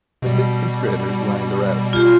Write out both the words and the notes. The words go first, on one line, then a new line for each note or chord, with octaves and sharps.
The six conspirators lined the route.
B2 G3
F4 G4